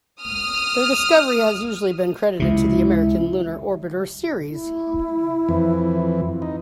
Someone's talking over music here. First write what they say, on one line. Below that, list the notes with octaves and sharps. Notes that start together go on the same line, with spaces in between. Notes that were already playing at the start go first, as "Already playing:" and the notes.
Their discovery has usually been credited to the American Lunar Orbiter series.
D#6 F6
C#2 C3 E4
E4
F2 E3
D#4